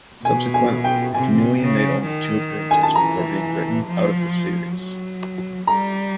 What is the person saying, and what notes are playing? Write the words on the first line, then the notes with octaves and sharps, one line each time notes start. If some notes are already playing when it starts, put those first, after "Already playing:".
Subsequently, Kamelion made only two appearances before being written out of the series.
B2 G#5
G#5
G5
C3 G#5
C#3
D#3
G#5
A5
E3 A#5
F3
F#3
G3 A#5